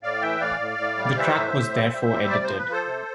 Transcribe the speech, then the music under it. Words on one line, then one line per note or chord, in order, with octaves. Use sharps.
The track was therefore edited.
A2 D5 F5
E3 E5 G5
A2 D5 F5
A2
A2
G3
D5
E3 C5 E5
A2
A2
G3
G3
G3
C3 D5
C5
F3
B4
F3 A4 C5
C3